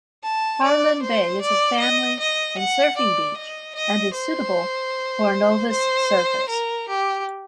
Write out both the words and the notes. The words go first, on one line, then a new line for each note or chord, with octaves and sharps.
Harlyn Bay is a family and surfing beach and is suitable for novice surfers.
A5
D5
C5
D5
D#5
D#5
F#5
D5
D#5
D#5
C5
C5
A#4
G4